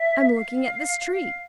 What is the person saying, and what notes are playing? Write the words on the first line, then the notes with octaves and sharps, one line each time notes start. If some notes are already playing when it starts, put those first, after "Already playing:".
'I'm looking at this tree.
Already playing: E5
F5
F5